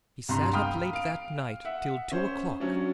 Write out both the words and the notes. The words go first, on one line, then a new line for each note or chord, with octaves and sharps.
He sat up late that night, till two o'clock.
C2 G2 D4 A#5 C6
F5 G5 B5 D#6 F6
F5 D7
E5 F#5
C#4 C5
F#3 C#4 D4